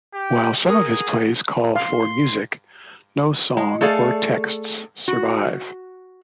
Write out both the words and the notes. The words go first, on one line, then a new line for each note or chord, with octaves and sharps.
While some of his plays call for music, no songs or texts survive.
G4
G#4 A#4 F#5 D#6
F5 C6
G#3
A3 G#4 A4 D5 F5
F#4